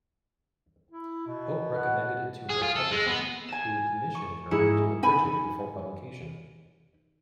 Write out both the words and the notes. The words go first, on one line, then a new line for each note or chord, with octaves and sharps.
Pope recommended it to her publisher, who commissioned her to abridge it before publication.
E4
B2
F#5
G#4
F4
A4
G#3
B3
G#5 A6 E7
C#6
G#2 G#3 E4 C#7
D#4 G#5 B5